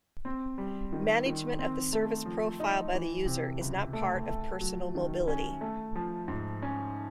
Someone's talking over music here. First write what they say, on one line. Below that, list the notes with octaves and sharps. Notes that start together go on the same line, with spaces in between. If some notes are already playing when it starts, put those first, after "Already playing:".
Management of the service profile by the user is not part of personal mobility.
C4
G3
D#3
D#3
C4
A3
F3
D#4
E3
C3
C#2
A3
A3
F#3
D#3
C#4
A3
F3
G#2
C#4